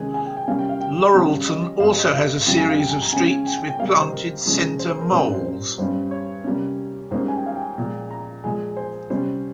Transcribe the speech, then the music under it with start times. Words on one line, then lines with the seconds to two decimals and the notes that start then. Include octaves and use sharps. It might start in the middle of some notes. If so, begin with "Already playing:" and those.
Laurelton also has a series of streets with planted center malls.
Already playing: C3 D#3 G#3 C#4 G#5
0.14 G#5
0.26 G5
0.37 G5
0.48 C3 G3 A#3 C#4 F5
0.59 G5
0.69 F5
0.81 G5
1.14 C#3 G3 C#4
1.46 D#5
1.80 G2 G3 C4 F5
1.97 D#5
2.13 F5
2.46 F2 C#3 G3 G5
2.58 G#5
2.69 F5
2.79 G5
2.90 G#5
3.02 A#5
3.13 C#3 G#3 C#4 G#5
3.46 G5
3.57 G5
3.69 G5
3.79 C3 G3 A#3 F5
3.90 D#5
4.02 C5
4.13 A#4
4.46 C3 F3 G#3 C#4
4.79 C5
4.90 C5
5.01 A#4
5.11 A#2 G3 C#4 C5
5.24 A#4
5.34 C5
5.45 C5
5.78 G2 G3 C#4 C5
6.11 C#5
6.44 C3 G3 A#3 C#4
7.11 G#2 G3 A#3 C#4 C5
7.28 G#5
7.37 G5
7.46 F5
7.56 G5
7.78 A#2 F3 G#3
8.11 A#5
8.44 A#2 F3 G#3 G#5
8.77 C5
9.10 C3 G3 C#4 C5